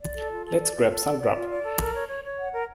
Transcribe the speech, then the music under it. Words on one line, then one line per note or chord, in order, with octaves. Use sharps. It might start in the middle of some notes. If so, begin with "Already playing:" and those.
Let's grab some grub.
D5
A4
F4
A4
D5
F4
A4
D5
D5
F4
D5
A4
A#4
C#5
C#5
C#5
F#5
A#4